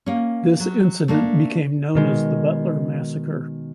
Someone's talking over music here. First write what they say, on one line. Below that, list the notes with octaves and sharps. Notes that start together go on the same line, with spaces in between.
This incident became known as the Butler Massacre.
A#3 C#4
F#3
A3 A#3 D4
B2 D#3 G#3